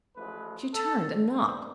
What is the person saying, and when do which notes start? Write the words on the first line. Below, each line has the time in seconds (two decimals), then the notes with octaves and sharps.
She turned, and knocked.
0.15 A1 A2 F3 G#3 B4
0.74 A4
1.31 G2 D#3 G3 C5